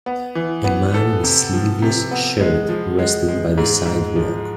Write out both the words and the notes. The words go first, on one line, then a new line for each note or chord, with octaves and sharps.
A man in a sleeveless shirt resting by the sidewalk.
B3
E3
B3
A4
C3
F3
C3
B3
G#3
F3
G#3
G#3
G#2
G#2
F3